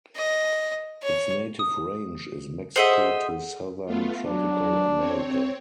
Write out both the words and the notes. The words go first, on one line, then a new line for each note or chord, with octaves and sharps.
Its native range is Mexico to southern Tropical America.
D#5
C#5
D#6
G#4 A4 C5 D#5 E5 F#5
A3 B3 F4
F#3 D4
C4 C#5